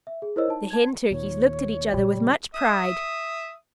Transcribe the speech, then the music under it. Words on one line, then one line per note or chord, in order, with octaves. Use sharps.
The Hen Turkeys looked at each other with much pride.
E5
G#4
E4 A#4 C5 C#5 D#5 E6
D#4 A5
A5 G#6
D#2 A#2 D#3 C#5
A#2 C#3 G3
E5 D#6